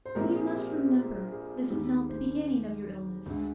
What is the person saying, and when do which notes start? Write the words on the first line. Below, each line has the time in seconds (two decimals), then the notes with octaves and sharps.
We must remember, this is not the beginning of your illness.
0.05 C5
0.15 A#1 A#2 G3 C4 A#4
0.35 G#4
0.54 G4
1.32 G#4
1.70 D#2 D#3 G3
2.09 C5
3.26 D2 D3 G#3